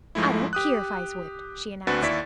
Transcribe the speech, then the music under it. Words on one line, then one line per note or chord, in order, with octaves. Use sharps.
"I don't keer if I is whipped," she announced.
G#2 F3 G#3 A3 E4
G4 D#6 F#6
D2 C4 D4 F#4 B4 A6
D#2 E4 D5 C#6 B6